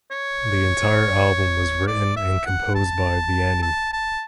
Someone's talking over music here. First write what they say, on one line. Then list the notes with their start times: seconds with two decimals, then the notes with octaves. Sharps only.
The entire album was written and composed by Vianney.
0.11 C#5
1.88 D5
2.17 E5
2.46 F#5
2.75 A5
3.62 A5
3.93 A5